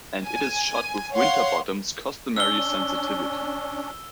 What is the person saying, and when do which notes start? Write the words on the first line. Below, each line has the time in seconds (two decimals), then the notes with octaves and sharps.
And it is shot with Winterbottom's customary sensitivity.
0.25 G#5
1.13 C#5 F5 F#5 C6
2.36 C#4 D4 E6 G7